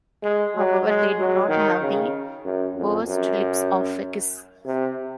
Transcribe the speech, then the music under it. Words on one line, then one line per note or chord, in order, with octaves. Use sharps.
However, they do not have the pursed lips of a kiss.
G#3
F#3
G#3
F#3
D#3
C#3
F#2
F2
F#2
C3